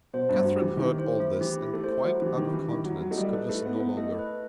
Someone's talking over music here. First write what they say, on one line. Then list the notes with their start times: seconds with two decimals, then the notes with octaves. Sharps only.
Catherine heard all this, and quite out of countenance, could listen no longer.
0.14 B2 C5
0.29 G2
0.35 A3
0.45 F#3
0.56 G4
0.62 E3
0.77 D#3 E4
0.99 C5
1.20 A3
1.41 E3 G4
1.62 E4
1.74 A3
1.84 C5
2.05 F#3 A3
2.22 E3 G4
2.37 D#3
2.48 E4
2.54 E3
2.69 D#3 E4
2.85 F#3
2.90 E4
3.01 F#3
3.11 A3 D#5
3.17 G3
3.33 A3 B4
3.49 A3
3.55 E4
3.66 B3
3.76 B3 E4
3.97 A3 D#5
4.19 B4